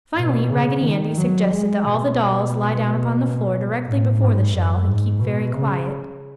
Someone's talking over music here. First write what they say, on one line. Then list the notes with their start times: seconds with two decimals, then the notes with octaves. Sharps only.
Finally Raggedy Andy suggested that all the dolls lie down upon the floor directly before the shell and keep very quiet.
0.16 B2
0.50 C#3
0.83 D#3
1.17 F#3
1.51 G#3
1.84 B2
3.85 A2
4.19 G#2
4.52 F#2
4.86 G#2
5.19 B2
5.53 C#3